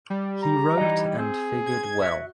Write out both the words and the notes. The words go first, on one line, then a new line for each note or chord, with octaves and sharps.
He wrote and figured well.
G3
A#5
E3 D#4 D#5
C4 G#4
G#6
F#4 E5